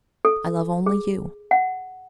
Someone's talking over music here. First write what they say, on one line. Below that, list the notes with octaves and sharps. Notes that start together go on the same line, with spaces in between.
I love only you.
A4
G#4
F#5